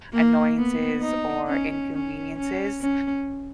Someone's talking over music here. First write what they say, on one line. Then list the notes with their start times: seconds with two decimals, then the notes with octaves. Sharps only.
annoyances or inconveniences,
0.13 A#3
0.57 B3
1.01 D#4
1.47 C#4
1.92 C#4
2.37 C#4
2.81 C#4